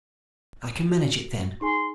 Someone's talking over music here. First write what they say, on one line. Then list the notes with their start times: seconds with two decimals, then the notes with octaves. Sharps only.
I can manage it then.
0.89 F#4
1.61 D#4 G#4 G#5 C6